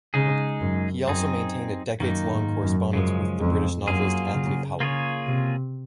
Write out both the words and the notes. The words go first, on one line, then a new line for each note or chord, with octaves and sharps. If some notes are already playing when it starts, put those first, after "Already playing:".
He also maintained a decades-long correspondence with the British novelist Anthony Powell.
C#3 G#3 D#4 G#4
F#2
F#2 C4 D#4 G#4
F#2 D#3 A#3 D#4
G#2
F#2
F#2 C#3 F3 G#3
F2
F#2 F#3 A#3 F4 G#4
C#3
C#3 A#3 F4 G#4 C#5
C3